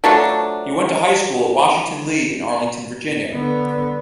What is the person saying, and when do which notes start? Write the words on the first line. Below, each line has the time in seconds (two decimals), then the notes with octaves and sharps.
He went to high school at Washington-Lee in Arlington, Virginia.
0.04 F3 F#3 A3 D4
3.34 D3 B3